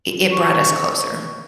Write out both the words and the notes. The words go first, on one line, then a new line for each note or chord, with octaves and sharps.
it it brought us closer.
C#6